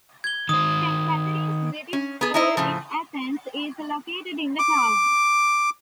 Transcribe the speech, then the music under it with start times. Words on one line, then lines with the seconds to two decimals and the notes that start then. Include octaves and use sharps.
St.Catherine's British School in Athens is located in the town.
0.24 G#6 G7
0.49 D#3 C5 D#6
1.93 C#4
2.21 B3 G#4
2.34 D#4 E4 D#5
2.57 A2 C#3 F3
4.59 D6